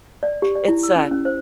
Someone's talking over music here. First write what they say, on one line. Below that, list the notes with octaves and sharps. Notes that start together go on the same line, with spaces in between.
it's a
D5
G4
D5
E4
E6
C#4
C#4
C5